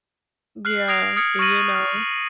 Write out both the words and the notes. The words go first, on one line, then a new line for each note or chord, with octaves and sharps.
Yeah, and, you know
F6 F#6 C7 F#7
D#6 G#6 A#6 C7 D7 F7
D#6 F6 G#6 C#7
C#6 F6 A6 A#6 D#7 F#7
D#6 F6